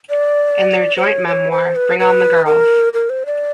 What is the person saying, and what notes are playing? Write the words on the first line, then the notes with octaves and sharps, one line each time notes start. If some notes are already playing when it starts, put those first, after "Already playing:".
In their joint memoir Bring on the Girls!
D5
C5
C#5
C#5
C5
B4
B4
A#4
A#4
C5
D5